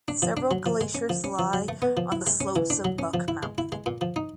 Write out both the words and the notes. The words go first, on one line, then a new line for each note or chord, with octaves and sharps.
Several glaciers lie on the slopes of Buck Mountain.
D4
F3
D4
F#3
F3
G#3
C#4
F3
C#4
F3
F#3
A3
B3
F3
E4
G#3
C#4
E3
D4
F#3
C#4
F3
E4
G#3
E4
G#3
A#2
F3
D#4